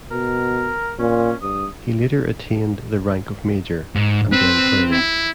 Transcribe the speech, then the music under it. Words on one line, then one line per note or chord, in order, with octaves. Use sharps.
He later attained the rank of Major, and then Colonel.
B2 A#4
A#2 C#4
G2 D#6
G#2
C4 B4
E4